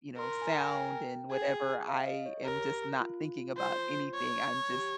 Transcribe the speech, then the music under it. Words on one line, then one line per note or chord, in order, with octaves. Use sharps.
you know, sound, and whatever, I am just not thinking about anything, I'm just
A#4 C6
C6
G#5
A#5
G5
G#5
G5
G#4
F5
D#5
C#5
G4 A#4
F4
C5
C#5
G4